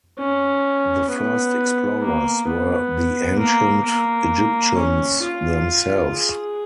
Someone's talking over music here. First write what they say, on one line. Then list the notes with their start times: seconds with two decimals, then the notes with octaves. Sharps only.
The first explorers were the ancient Egyptians themselves.
0.18 C#4
1.10 B3
2.01 A#3
2.47 B3
3.38 A#3
3.84 A#3
4.76 C#4
5.22 F4
6.13 G#4